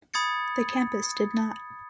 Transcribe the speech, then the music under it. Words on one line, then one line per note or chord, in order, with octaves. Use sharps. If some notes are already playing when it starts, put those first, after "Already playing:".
The campus did not.
B5 D#6 G#6 A6 C#7